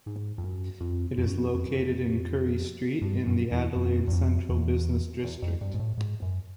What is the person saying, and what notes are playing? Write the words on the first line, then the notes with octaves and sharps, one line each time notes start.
It is located in Currie Street in the Adelaide central business district.
G#2
F2
F#2
F2
F2
F#2
F2
F2
F#2
F2
G2
F#2
E2
F2
E2
F2
E2
E2
F2
G2
G#2
A2
G#2
F#2